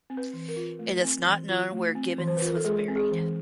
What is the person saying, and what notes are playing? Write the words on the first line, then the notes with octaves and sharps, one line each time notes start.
It is not known where Gibbons was buried.
C4
B4
E3
A#4
F4
A3
C4
E3
F4
A3
C4
E3
C5
B4
F4 A#4
A4
G#3 G#4
C4
G#4
E3